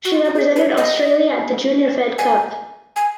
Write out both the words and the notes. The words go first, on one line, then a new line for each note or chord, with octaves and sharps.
She represented Australia at the Junior Fed Cup.
F#4
F4
F#4
G#4
B4
C#5
D#5
G#5
G#5